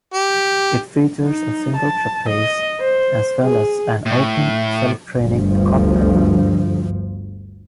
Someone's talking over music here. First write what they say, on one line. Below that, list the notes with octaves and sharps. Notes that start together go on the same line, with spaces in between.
It features a single trapeze as well as an open, self-draining cockpit.
G4
D#4
A5
D#5
C5
G#4
A2
G1 D2 F3